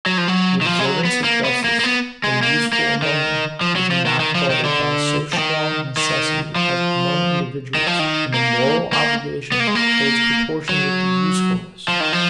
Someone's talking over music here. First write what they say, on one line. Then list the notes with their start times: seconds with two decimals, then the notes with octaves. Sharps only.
The observance of justice, though useful among them, is not guarded by so strong a necessity as among individuals; and the moral obligation holds proportion with the USEFULNESS.
0.06 F#3
0.18 F3
0.28 F#3
0.61 D#3
0.66 F3
0.79 G#3
0.85 F#3
1.05 B3
1.24 A#3
1.45 B3
1.64 A#3
1.80 A#3
1.84 B3
2.24 G#3
2.43 A#3
2.73 A#3
3.02 D#3
3.61 F3
3.76 F#3
3.91 F3
4.06 D#3
4.20 D#3
4.35 F3
4.50 D#3
4.64 D3
5.33 F3
5.38 D#3
5.97 D#3
6.56 F3
7.75 D#3
7.87 F3
7.99 D#3
8.34 A#3
8.93 A#3
9.52 B3
9.60 A#3
9.67 G#3
9.75 A#3
10.69 F#3
11.88 F3
12.00 D#3
12.13 F3